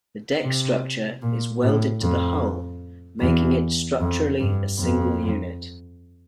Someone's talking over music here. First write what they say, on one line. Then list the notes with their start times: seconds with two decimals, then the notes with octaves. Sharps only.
The deck structure is welded to the hull, making it structurally a single unit.
0.43 C3
1.22 A#2
1.62 A2
2.01 F2
3.20 E2
4.00 F2
4.40 G2
4.79 F2